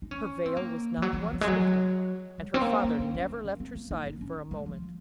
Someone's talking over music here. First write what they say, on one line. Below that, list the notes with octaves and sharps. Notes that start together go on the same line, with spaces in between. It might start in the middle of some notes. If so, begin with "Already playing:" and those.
Her veil was not once lifted, and her father never left her side for a moment.
D#4
C#4
C4
A#3
F3
F#3
F#3
F3
F3
G#3
F#3
G#3
C4
A#3
C#4
C#4
C#4
D#4
C#4
C4
A#3
D#4
D#4
C#4
G#3
F3